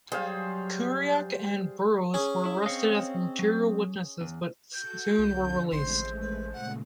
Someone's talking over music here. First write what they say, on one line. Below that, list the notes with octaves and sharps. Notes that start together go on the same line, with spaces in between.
Kerouac and Burroughs were arrested as material witnesses but soon were released.
F#3 G3 G#4 C5 F5
C#4 G#4
E4
C4 C#5 D#5 F5
F#3
E2
F#4 A4 G6
C2 F2 D3
A1 G#3 A3 C5 C6
B4
A#2 C#3 F#5